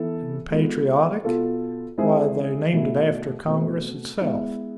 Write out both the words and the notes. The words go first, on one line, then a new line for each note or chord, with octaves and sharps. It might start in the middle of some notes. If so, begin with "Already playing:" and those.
And patriotic?--why they named it after Congress itself.
Already playing: E3 B3 E4 A4
G#3 B3 F4 A4
B2 B3 F4 A4
G#3 C4 E4 G#4
B2 A3 E4
B2 A3 C4
G#3 B3 E4